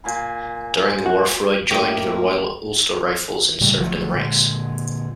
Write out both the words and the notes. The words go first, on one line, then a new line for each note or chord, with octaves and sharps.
During the war Freud joined the Royal Ulster Rifles and served in the ranks.
A#2 G#5 C6
C5
F#4
A2 A#3 G4 D#5 C#6
A#2 C#3 G3 A3
G1 F3 F#3 A3
A#2 D3 G#3